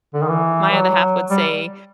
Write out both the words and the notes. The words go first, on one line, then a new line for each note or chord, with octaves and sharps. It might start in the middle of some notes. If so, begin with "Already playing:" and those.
my other half would say,
D3
D#3
E3
F#3
G3